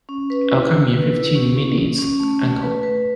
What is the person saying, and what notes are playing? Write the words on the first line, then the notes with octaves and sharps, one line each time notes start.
I'll come in fifteen minutes, uncle.
C#4
B4
E4
E4
B4
E4
C#4
C#4
C#4
C#4
A3
A3
B4
B4